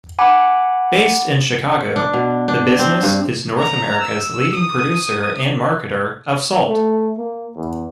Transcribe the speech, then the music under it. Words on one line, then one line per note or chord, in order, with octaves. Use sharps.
Based in Chicago, the business is North America's leading producer and marketer of salt.
F#5 G#5 B5 D6
D4
B2
D4
C4
G2
A#5
E6
D#6
A3
A#3
E2